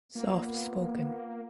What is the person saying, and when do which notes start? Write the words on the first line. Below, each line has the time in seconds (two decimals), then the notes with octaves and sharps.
Soft spoken.
0.15 A#3 B3 F4